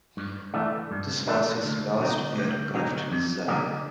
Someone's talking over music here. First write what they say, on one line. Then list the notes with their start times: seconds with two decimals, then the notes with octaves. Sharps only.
This was his last aircraft design.
0.17 G2
0.54 E3 A3 D4
0.91 G2
1.27 E3 A3 D4
1.65 D2
2.00 D3 F#3 B3 D#4
2.37 D2
2.74 D3 F#3 B3 D#4
3.10 F2
3.48 D3 G3 A#3 D#4